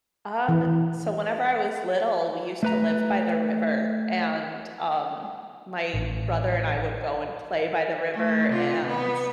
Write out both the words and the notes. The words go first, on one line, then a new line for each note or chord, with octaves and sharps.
Um, so whenever I was little, we used to live by the river, and, um, my brother and I would go and play by the river and,
E3
A3 B4 A#5
A1
A3
C3 F4
B3